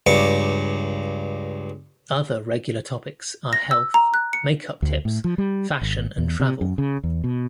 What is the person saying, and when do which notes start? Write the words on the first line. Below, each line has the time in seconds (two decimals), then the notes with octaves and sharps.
Other regular topics are health, make-up tips, fashion, and travel.
0.07 C#2 G2 C#6 D6
3.53 A#6
3.71 E6
3.94 A#5
4.14 F#6
4.33 C#7
4.82 D2
5.05 A2
5.24 F3
5.38 G3
5.81 G#1
6.18 E2
6.40 C3
6.61 F#2
6.78 C#3
7.03 E2
7.24 B2